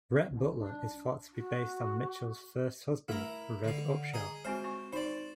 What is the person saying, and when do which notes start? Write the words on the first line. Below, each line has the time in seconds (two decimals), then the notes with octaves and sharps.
Rhett Butler is thought to be based on Mitchell's first husband, Red Upshaw.
0.30 C2
0.60 D4
1.33 F#4
3.08 A3 E4 A#4
3.64 D3 F5
4.14 G#4 D#5 A#5
4.45 G#3 C4 F#4 C5
4.64 C4 C#6
4.93 D#4 C5 D5